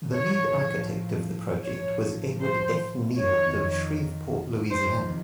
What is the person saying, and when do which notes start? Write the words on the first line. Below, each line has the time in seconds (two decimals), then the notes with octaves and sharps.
The lead architect of the project was Edward F. Neild of Shreveport, Louisiana.
0.12 A2 F3 C#5
1.64 A2 F3 C#5
2.41 C5
3.18 F2 D#3 C#5
4.70 F2 C3 D#3 C5